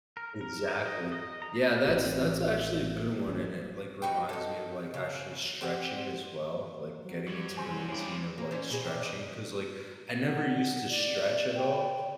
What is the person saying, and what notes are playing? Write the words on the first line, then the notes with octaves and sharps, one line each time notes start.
Exactly, yeah, that's that's actually a good one and it, like, reminds me of, like, actually stretching as well, like getting into the routine of, like, stretching, 'cause, like, I never used to stretch at all,
A#4
A#4
A#4
D#5
D#5
A#5
A1 C4
A1 F#3 G3 C#4
D#4 F#4 B4 G5
D#4 A4
C#3
C4 G4 F#5
F#3
F#2 F#3 G3
C2 C5 G#5
G2 G#3 C#4 D5
A#3
C#4 C5
B2 G#4
C4 D4
E2 D#5
F#5
D5
G5